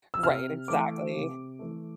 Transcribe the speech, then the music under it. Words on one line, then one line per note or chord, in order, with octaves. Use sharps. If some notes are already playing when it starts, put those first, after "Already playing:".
right, exactly.
E6
C3 F6
E3 A3 D6
C3
E3 A3